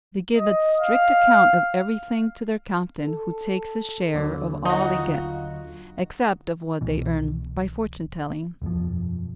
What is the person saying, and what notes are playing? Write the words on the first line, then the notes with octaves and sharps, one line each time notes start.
They give a strict account of everything to their captain, who takes his share of all they get, except of what they earn by fortune-telling.
D#5
F5
A4
D#2 D3 F#3
D#4 F4 F#4
C2 B2 E3
E1 F#2 B2 F3